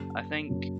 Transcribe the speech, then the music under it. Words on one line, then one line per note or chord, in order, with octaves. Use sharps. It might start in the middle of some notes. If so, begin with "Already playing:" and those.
I think,
Already playing: F#2 C#3 F#3 A#3 A5
F#2 C#3 F#3 A#3